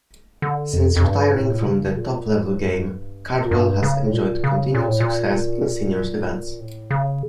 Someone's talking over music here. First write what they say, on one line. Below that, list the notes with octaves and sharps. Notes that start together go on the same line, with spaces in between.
Since retiring from the top-level game, Cardwell has enjoyed continued success in seniors events.
D3
F2
F2
G2
A2
A#2
C#3
A#2
A2
G2
F2
G2
G2
C#3
A2
A#2
C#3
A#2
A2
A#2
A2
C#3